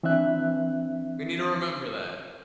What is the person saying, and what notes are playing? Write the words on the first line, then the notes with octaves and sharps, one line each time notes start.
We need to remember that.
E3 C4 D4 E5 F#6